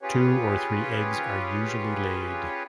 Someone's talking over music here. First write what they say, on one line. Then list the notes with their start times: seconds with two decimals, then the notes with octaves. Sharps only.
Two or three eggs are usually laid.
0.02 C#4 F4 G4 G#4 B4 C#5